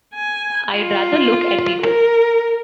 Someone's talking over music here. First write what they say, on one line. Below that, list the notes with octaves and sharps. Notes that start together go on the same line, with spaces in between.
I’d rather look at people.
G#5
F4
A#4